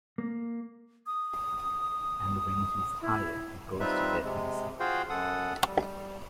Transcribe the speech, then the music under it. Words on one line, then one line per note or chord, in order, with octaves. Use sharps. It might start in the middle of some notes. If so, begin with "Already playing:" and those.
And when he's tired he goes to bed himself.
A#3
D#6
E4
G3 C4 D#4 F4 B4 E5
C3 G#3
F4 F#4 G#4 C5 F5 G5
F#2 A4 F#5 D#6
G3